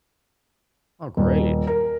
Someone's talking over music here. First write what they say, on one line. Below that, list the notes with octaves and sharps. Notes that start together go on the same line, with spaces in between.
Oh, great.
D#1
A#4